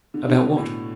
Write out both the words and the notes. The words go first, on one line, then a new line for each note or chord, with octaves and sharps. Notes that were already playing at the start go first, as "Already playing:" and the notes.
"About what?"
D3
D3
B2
A2